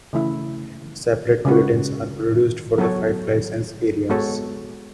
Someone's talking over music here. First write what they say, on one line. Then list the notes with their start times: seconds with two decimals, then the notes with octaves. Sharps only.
Separate bulletins are produced for the five licence areas.
0.13 C#3 E3 A3 E4
1.45 C#3 G#3 C#4 F#4 B4
2.78 F#3 B3 F#4 A4 C#5
4.09 G#3 B3 F#4 A4 C#5